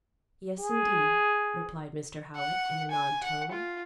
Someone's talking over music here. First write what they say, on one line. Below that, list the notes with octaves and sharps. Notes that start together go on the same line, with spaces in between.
"Yes, indeed," replied Mr. Howitt, in an odd tone.
G#4
F#5
G#5
F#5
F4